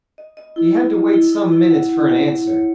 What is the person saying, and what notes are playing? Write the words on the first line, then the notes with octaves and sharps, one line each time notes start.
He had to wait some minutes for an answer.
D#5
D#5
E4
E4
D#5
E4
E4
E4
F#5
F#5
F#5
F#5
C#5